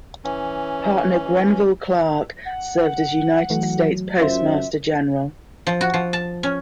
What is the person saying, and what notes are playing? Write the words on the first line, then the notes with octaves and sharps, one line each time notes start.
Partner Grenville Clark served as United States Postmaster General.
E3 C#4
F#5
E3 F#3 A3
F#2 F4 C5 E5
F3
F#4
F3
A5
C#4